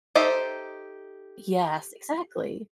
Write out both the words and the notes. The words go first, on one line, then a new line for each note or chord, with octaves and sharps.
Yes, exactly.
D#4 G4 A4 C5 E5